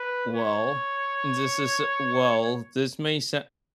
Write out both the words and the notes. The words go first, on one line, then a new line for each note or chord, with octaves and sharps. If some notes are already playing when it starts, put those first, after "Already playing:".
Well, this is eh Well, this may sound
Already playing: B4
C#5